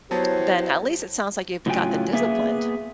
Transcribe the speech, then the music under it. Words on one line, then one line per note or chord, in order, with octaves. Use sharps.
then at least it sounds, like, you've got the disciplined.
F#3 B3 E4 G4 C5 C#5 A5
A2 C#3 F#3 F4 G5 G#5
A#3 B3 G#4 E5